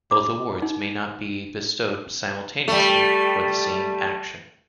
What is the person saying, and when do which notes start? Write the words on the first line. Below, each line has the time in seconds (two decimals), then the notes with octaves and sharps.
Both awards may not be bestowed simultaneously for the same action.
0.11 D6
0.62 D#4
2.68 G3 A3